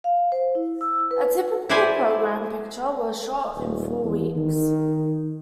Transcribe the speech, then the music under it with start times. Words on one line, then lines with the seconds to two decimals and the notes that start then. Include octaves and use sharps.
A typical program picture was shot in four weeks.
0.04 F5
0.32 C5
0.55 E4
0.81 E6
1.11 B4
1.69 E4 G4 B4 C5 D5 G#5
3.55 D#1
4.03 E2
4.36 D#3